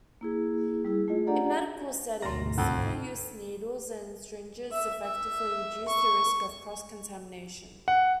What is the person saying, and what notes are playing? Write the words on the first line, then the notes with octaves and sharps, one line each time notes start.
In medical settings, single-use needles and syringes effectively reduce the risk of cross-contamination.
A#3 E4 G#4
G3 E4 G#4
A3 F4 G#4 D#5
D4 G4 A4 D5 F#5 A#5
G#1 D2 B2 A#4 C6 A6 A#6
G1 C2 F2 D3 F#5 F#6
E5
E5
C#6
F#5